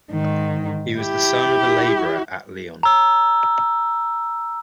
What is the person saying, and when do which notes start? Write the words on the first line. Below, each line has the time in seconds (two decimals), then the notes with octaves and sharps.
He was the son of a laborer at Lyon.
0.11 G#2 D#3
0.98 E4 G4
2.83 A#5 E6